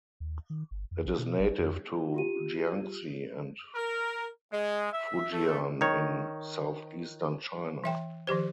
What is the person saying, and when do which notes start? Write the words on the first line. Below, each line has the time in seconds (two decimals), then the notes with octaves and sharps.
It is native to Jiangxi and Fujian in southeastern China.
0.20 D#2
0.50 D#3
0.71 G1
0.91 F2
1.06 A#1
1.18 B2
1.39 G#1
1.59 F2
2.14 F4 G4 D#7
3.75 A#4
4.52 G#3
4.92 E5
5.32 A3
5.81 D#3 C#5
7.84 E3 E5 G5
8.27 D#3 F3 G4 C5